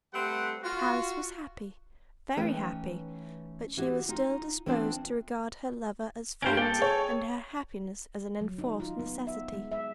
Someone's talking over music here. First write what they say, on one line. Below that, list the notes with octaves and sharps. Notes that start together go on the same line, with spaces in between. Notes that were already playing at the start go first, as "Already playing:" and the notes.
Alice was happy, very happy; but she was still disposed to regard her lover as Fate, and her happiness as an enforced necessity.
G3 A3 C4 B4 F#5
F4 F#4
E3 A3 C#4 D#4 B4 G5
E3 F#4 G4
D#4 F4
E3 B3 C4 D4 F4
G2 C#4 A#4 C5 D7
A#3 A4 G5
G#4 C#5
F#3
D#4
F4
B3
E5
G#3
E5